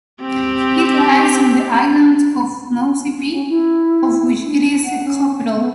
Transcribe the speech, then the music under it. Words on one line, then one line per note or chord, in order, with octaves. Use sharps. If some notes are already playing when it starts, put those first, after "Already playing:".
It lies on the island of Nosy Be, of which it is the capital.
C4 G4
C#4
E4
D4
F#5
C#4
B3